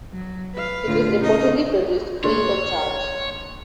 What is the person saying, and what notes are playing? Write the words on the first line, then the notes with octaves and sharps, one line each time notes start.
It was reportedly produced "free of charge".
F#3
B4 F5
A2 D3 F4
C#3 A#3 D#4 D#5
F#1 D4 C#5 C6